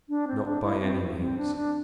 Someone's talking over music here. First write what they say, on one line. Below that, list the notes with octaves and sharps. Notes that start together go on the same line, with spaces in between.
Not by any means!
D4
C4
D4
E4
C4
C4
D4
D4